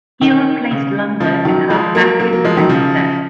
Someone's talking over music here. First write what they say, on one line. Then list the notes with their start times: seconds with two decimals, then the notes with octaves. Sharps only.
He replaced Langer at halfback in the next test.
0.21 D#3
0.71 C#3
1.20 C#3 F3
1.45 D#3 F#3
1.70 F3 G#3
1.95 F#3 A#3
2.20 F#3 A#3
2.32 F#3 A#3
2.44 F3 G#3
2.57 D#3 F#3
2.69 C#3 F3